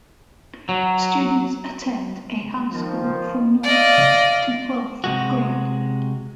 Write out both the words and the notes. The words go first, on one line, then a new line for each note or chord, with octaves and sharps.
Students attend a high school from ninth to twelfth grade.
F#3
D#3 F3
D5 D#5 F5
C3 G#3 F#4